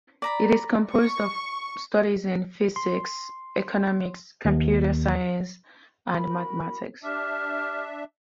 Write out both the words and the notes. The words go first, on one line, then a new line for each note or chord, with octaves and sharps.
It is composed of studies in Physics, Economics, Computer Science and Mathematics.
D5 A#5 B5
C#6
C6
D#2
F#4 A#4 B5
D4 G4 E5 D6 F6